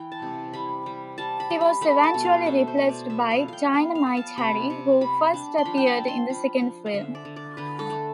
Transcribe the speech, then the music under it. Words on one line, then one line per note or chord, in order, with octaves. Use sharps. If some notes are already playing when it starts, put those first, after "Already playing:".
He was eventually replaced by "Dynamit-Harry" who first appeared in the second film.
Already playing: E3 G5
A5
C3
G3 B5
G3
G3 A5
B5
G3
B5
A3 B5
A5
B2
F5
A3 E5
C5
B2
D5
B3 E5
F5
F3
F5 G5
B3 F5
F5
B3
A5
C3 B5
C3
G3 B5
D4
C6
F3 B5
G5
A5
C4
C6
F3 B5
F3
F5
D3 E5
D5
D3
D5
D3 B4
A4
A3